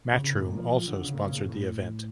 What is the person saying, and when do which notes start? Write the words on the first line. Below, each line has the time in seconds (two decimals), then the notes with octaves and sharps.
Matchroom also sponsored the event.
0.13 C#3
0.24 C#3
0.35 A2
0.47 A#2
0.58 F3
0.73 F3
0.88 D3
1.04 C#3
1.14 A#2
1.26 C#3
1.37 A2
1.49 A2